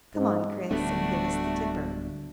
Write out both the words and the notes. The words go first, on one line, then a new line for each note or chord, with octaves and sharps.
Come on, Chris, and give us the dipper.
G#2
D1 D3 G3 A3 B3 D4 F#4